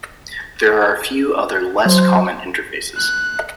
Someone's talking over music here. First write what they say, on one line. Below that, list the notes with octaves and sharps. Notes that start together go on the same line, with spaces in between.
There are a few other less common interfaces.
F#3 C5
F#6